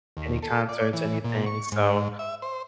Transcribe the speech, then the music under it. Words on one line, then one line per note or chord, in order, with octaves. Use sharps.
any concerts, anything so,
D#2
A4
D5
E3
A#2
C#6
G#2
E5
C5